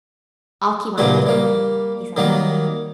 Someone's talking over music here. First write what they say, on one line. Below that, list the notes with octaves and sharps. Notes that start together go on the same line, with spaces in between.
'I'll keep my eyes open,' he said.
G2 A#2 C#3 F#3 G3 E4
G3 A#3
D#3 F#3 G3 A#3